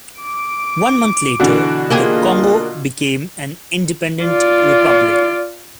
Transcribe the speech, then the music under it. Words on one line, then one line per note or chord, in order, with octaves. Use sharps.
One month later, the Congo became an independent republic.
D6 D7
B2 D3 E3 D4 F#4
A#3 F4 G4 G#4 D#5
F4 D5